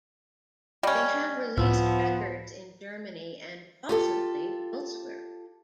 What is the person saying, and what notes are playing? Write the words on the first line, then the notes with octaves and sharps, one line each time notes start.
They have released records in Germany and possibly elsewhere.
G3 C#4 D#5
C#2 A2 F3 B3 E6
F4 G4 A4